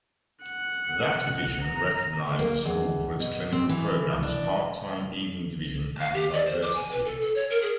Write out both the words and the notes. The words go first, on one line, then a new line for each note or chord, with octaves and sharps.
That edition recognized the School for its clinical programs, part-time evening division, and diversity.
F#5
A#5
A#3
E2
B2
C4
E3
D4
F5
G4
D5
C5
D6
G#5
B4
A4
A4
C#5
A#4
G#4